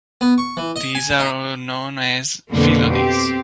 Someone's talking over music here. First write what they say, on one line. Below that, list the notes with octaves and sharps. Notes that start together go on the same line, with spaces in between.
These are known as "phyllodes".
B3
C#6
E3
D#5
G#5
D#4
F2 B2 D3 A#3
C4 G4